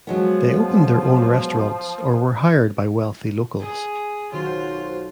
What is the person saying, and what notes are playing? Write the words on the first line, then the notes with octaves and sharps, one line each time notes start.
They opened their own restaurants or were hired by wealthy locals.
F3 F#3 G#3 B3
G#4
B1 D#3 F4 F#4 C5 F6